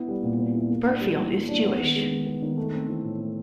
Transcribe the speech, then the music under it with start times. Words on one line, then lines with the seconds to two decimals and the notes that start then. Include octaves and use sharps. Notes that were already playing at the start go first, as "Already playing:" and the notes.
Berfield is Jewish.
Already playing: B3 E4
0.08 G3
0.23 A#2
0.39 B3
0.55 E4
0.70 A#3
0.85 D4
1.01 G3
1.17 E3
1.33 A#3
1.48 D4
1.64 B3
1.79 D#3
1.96 G#3
2.11 D#3
2.26 B3
2.42 D#3
2.57 A3
2.73 C4
2.88 E3
3.04 A2
3.20 A3